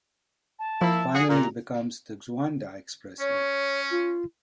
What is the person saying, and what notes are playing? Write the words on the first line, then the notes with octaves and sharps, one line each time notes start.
Finally, it becomes the Xuanda Expressway.
A5
F3 A#3 E4
F#4 G#4
A#2 A#5
C#4 C#5
F4